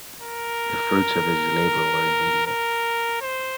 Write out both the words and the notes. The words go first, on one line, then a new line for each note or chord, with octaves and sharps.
The fruits of his labor were immediate.
A#4
A#4
C5